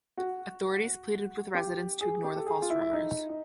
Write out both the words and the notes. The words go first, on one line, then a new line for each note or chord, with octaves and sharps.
Authorities pleaded with residents to ignore the false rumors.
F#4
G4
G#4
G4
A4
G#4
F4
E4
E4
D#4
D#4